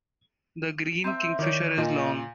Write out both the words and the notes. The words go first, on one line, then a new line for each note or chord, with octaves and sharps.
The green kingfisher is long.
C4 D#4 E5
D#3 E4 C#5 D5 G5
A#2 D#5 G#5 A5